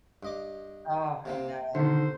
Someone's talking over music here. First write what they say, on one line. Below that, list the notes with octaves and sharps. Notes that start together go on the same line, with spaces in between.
Oh, I know.
G2 D#5 D6
C3 A#3 C4
B1 D3 D#3 C5